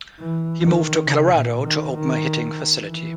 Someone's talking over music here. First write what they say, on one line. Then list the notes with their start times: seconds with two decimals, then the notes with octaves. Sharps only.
He moved to Colorado to open a hitting facility.
0.20 E3
0.63 D#3
1.07 C#3
1.36 A#2
1.65 D#3
1.94 D#3
2.81 E3